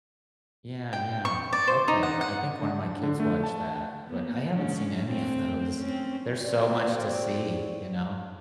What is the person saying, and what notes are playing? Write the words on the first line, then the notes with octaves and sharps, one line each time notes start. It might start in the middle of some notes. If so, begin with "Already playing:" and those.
Yeah, yeah, okay, I think one of my kids watched that, but I haven't seen any of those. There's so much to see, you know?
G5
C#6
D5
C5
D#4
F#5
F#5
D4
D3
A3
A5
A#3 B3
G#3 C#4 D4
A3 C4
C4 C#4
F#3 C4 D5